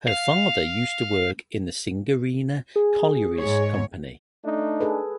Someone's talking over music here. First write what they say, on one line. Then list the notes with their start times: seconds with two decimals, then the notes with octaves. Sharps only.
Her father used to work in the Singareni Collieries Company.
0.08 F5
2.76 G#4
3.39 G#2 C#5
4.44 A3 D4 D#4
4.80 G#4 A4 B4